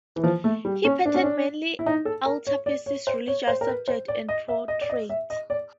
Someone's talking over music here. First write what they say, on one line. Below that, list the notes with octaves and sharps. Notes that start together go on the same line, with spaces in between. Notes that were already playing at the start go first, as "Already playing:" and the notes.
He painted mainly altarpieces, religious subjects and portraits.
E3
F3
A3
G3
C#4
D4
C#4
D4
E4
D#4
A4
A#4
C#5
D5
C#5
C5
C#5
C5
A#4
B4
C5
D5
D#5
E5
D#5
D5
D#5
E5
D#5
D5